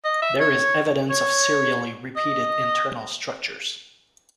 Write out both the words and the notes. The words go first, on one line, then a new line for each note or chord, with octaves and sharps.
There is evidence of serially repeated internal structures.
D#5
E5
C#5
C#5
D#5